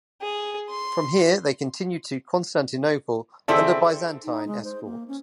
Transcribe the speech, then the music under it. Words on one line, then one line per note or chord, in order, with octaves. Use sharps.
From here they continued to Constantinople under Byzantine escort.
G#4
C6
C#3 C4 E4 G#4 A4 D5
D#4
G#3
C5
A#3
C#4